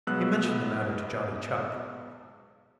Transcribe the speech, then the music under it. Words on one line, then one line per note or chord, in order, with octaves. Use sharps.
He mentioned the matter to Johnny Chuck.
B1 F#3 G#3 B3 E6 F#6